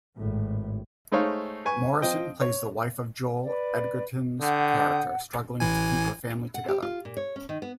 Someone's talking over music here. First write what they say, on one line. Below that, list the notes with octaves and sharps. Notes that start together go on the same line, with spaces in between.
Morrison plays the wife of Joel Edgerton's character, struggling to keep her family together.
G#1 A2
G#3 A3 D#4 C5 C#5 F5
B4 G#5 C#6
F3 C4 D#5 G5
C#5
B4 D5
D3 F#5 G5 D#6 G6
A1 E3 G#5
F#5
G4
F4
A#2
C#5
C#4
D#3
B3